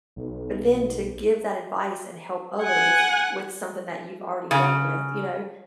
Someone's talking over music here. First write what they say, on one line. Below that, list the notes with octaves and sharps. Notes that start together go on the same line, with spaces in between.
b then to give that advice and help others with something that you've already dealt with, you know,
B1
F#5 G#5
C#3